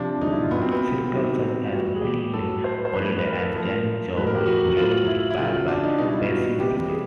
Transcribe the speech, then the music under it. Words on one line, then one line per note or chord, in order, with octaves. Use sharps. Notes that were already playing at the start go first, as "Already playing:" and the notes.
Singers such as Billie Holiday and Janis Joplin were inspired by Bessie Smith.
Already playing: C3 F3 D4
D#4
E4
F4
A#2 F#3 B3
C4
B3
C3 D#3 F#3
C4
F4
A2 E3 G3 F#4
G#4
G4
A2 F#3 A4
C5
B4
C5
A2 F3 B4
B4
A#4
A4
A2 F3 A#4
A2 F#3 B4
A#4
G4
F#4
A2 F#3 F4
E4
E4
C#3 F#3 F4
D4
D#4
B2 G3 D#4
E4
F4
F#4
C3 E3 G3 G4
G#4